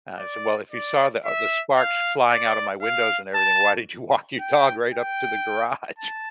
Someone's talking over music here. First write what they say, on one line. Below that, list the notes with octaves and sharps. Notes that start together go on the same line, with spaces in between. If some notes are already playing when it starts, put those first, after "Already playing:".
Uh, I said, "Well, if you saw the uh, the sparks flying out of my windows and everything, why did you walk your dog right up to the garage?"
D5
D5
E5
F5
D5
F5
A5
G5
G5
A5